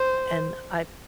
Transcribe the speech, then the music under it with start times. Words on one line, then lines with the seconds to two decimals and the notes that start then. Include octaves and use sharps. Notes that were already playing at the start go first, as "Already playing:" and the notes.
and I
Already playing: C5